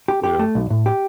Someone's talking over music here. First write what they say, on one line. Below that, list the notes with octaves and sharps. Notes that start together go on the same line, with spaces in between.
you know,
G4
G4
A3
B1
A2
G4